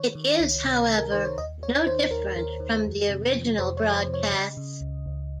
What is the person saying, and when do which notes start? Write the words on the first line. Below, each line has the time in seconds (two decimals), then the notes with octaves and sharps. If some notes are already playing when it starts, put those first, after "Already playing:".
It is, however, no different from the original broadcasts.
Already playing: D#3 C#5
0.15 D#3
0.40 C#2
0.64 C3
0.89 D#3
0.98 A#4
1.12 D#3 C5
1.25 C#5
1.38 D#2 D#5
1.62 D#2 C#5
1.86 D#3 C5
2.11 D#2 A#4
2.37 D#2 A#4
2.60 D#3
2.85 F2
3.09 C3
3.34 F3
3.58 F2 C5
3.77 C#5
3.82 F3
3.89 C#5
3.96 C5
4.07 C3
4.14 C#5
4.32 C#3 D#5
4.57 C#3
4.81 C#2
5.06 C#2